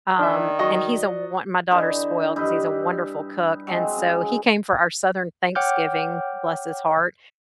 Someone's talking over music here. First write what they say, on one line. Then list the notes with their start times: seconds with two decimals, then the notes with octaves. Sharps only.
um, and he's a wo my daughter's spoiled because he's a wonderful cook, and so he came for our southern Thanksgiving, bless his heart,
0.19 D#3 D4 D5 E5
0.59 F#3 D#5 C#6
1.71 D3 E3 D#4 C5
2.36 G2 D#4 E4 B4
3.67 F#3 G#3 C4
3.98 C#3 A#5
5.55 C#5 F#5 G5 D6 F6 G6